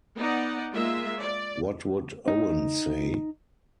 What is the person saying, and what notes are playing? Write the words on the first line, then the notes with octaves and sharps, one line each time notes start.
What would Owen say?
B3 D#4 D5 F#5
G#3 A#3 F4 E5
D5
D#4